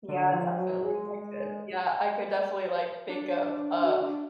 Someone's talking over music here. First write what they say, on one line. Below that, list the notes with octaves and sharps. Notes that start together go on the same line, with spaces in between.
Yeah, definitely, I could. Yeah, I could definitely, like, think of, uh,
D3
F3
F#3
G#3
D4
F#4
D4